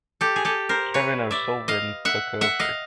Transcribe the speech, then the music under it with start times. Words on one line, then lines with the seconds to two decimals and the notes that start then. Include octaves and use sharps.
Kevin O'Sullivan took over.
0.21 G4 A4
0.36 G#4
0.45 G4 A4
0.69 A#4 C5
0.94 B4 C#5
1.31 D5 E5
1.68 D#5 F5
2.05 E5 F#5
2.41 E5 F#5
2.60 D#5 F5